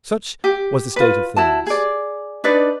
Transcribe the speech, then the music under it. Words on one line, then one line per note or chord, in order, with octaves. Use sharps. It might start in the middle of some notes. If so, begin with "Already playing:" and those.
Such was the state of things.
G4
F4 B4
E4 F#4 A5
G#4 D5
D4 D#4 B4 D5